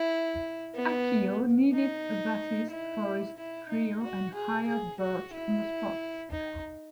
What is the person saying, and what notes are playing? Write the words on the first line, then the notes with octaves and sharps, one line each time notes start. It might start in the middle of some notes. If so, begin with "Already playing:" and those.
Akio needed a bassist for his trio and hired Birch on the spot.
Already playing: E4
B3
D#4
E4
E4
D#4
F#4
G#4
G#4
F#4
E4
D#4